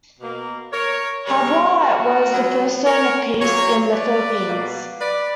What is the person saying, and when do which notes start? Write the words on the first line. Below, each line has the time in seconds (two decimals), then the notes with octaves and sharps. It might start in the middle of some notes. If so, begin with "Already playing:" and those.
Haba was the first Zone of Peace in the Philippines.
0.19 B2 A#3
0.72 A#4 C#5
1.25 C#3 G3 B3 A#4 C#5
1.78 F#4 A#4
2.32 A#2 F#3 B3
2.85 A#4 C#5
3.39 A#2 F#3 A#3 A#4 C#5
3.92 B4 D5
4.46 B2 A#3
4.99 B4 D5